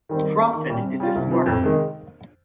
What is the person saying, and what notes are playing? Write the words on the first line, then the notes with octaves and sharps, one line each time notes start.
Proffen is the smarter one.
D#3 G3 C4
D#3
A#3 C#4
D#3
G3 C#4
C3
G3 C#4 F4
C2
C3 F3
F2
C3 D#3 G#3